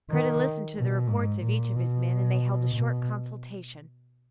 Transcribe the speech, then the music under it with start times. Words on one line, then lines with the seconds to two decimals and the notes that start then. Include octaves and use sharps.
Kreta listened to the reports of each of his men, and they held a short consultation.
0.10 D#3
0.77 B2
1.09 G#2
1.42 A#2
1.75 B2
2.75 B2